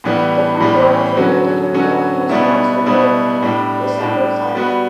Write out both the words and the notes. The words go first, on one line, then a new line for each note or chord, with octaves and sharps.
The front door has a moulded reveal and a semi-circular fanlight, with separate sidelights.
A2 E3 G3 B3
A2 E3 G3 B3
D3 F#3 C#4 F#4
D3 F#3 C#4 F#4
B2 G3 B3 E4
B2 G3 B3 E4
A2 G3 D4
A2 G3 D4
G3 B3 F#4